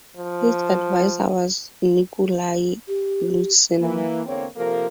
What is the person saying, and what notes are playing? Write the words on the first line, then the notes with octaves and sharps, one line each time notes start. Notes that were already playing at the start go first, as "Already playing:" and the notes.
His advisor was Nikolai Luzin.
F3
G4
E3 A#3
E2 D3 A#3 C4 C#5
C3 F3 A#3 A4 A#4